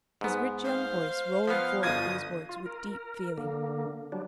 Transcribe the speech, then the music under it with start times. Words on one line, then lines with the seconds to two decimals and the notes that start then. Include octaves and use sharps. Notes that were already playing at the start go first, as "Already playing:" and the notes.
His rich young voice rolled forth these words with deep feeling.
0.21 G#2 B3
0.64 C5 F5
1.48 F3 B3 F5
1.83 G1 F4 D#6 G#6
2.49 F4
2.66 A#4
3.38 D3 A#3
4.12 F#3 G3 D4